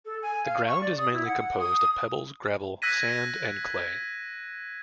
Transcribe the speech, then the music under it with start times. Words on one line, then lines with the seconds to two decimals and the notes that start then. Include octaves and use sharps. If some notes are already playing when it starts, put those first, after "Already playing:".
The ground is mainly composed of pebbles, gravel, sand and clay.
0.05 A4
0.22 G#5
0.44 F5
0.66 C#6
0.81 D5
0.97 D#6
1.13 E4
1.24 F#5
1.58 D#6
2.82 E6 F#6 G#6 A#6 B6 D#7